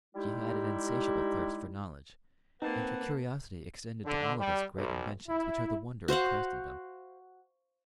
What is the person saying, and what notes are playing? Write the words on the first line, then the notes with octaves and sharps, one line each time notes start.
She had an insatiable thirst for knowledge, and her curiosity extended to all of those great inventions which are the wonder of Christendom.
G3 G#3 D#4 E4 G4
A#3 C4 D#4 B4 F#5 A5
D3
G3
B1
E4
F#4 C5 F5 F#5